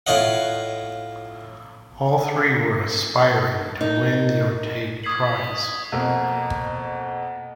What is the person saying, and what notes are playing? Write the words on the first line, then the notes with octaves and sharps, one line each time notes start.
All three were aspiring to win the Orteig Prize.
A2 F4 C#5 D#5 F#5
D#4 A#4
C#6 D#6 G#6 B6 C7 F#7
F2 B2 A#3